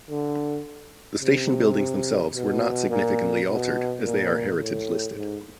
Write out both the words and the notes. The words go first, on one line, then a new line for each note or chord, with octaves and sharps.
The station buildings themselves were not significantly altered as they are heritage listed.
D3
C3
B2
A#2
B2
A#2
A2
G#2